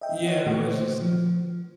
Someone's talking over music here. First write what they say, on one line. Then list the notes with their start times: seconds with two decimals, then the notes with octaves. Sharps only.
Yeah, I was just
0.01 D#5 E5 G5
0.26 C#5 D#5 F#5
0.46 A#2 A3 F#4
0.72 C5
1.01 F3